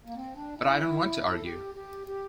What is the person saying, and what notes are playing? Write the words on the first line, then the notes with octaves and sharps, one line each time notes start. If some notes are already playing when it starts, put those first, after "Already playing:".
But I don't want to argue.
A#3
C4
D4
E4
A4
G4
G4
G4